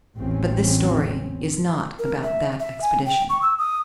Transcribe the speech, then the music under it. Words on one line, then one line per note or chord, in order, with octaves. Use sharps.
But this story is not about that expedition.
A1 E2 C4 C#4
A#4
E5
E5
G#5
G5
C#6
E6
D#6